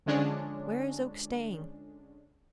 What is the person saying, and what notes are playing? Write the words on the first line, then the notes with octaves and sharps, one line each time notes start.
"Where is Oak staying?"
D3 F3 G#3 C#4 D4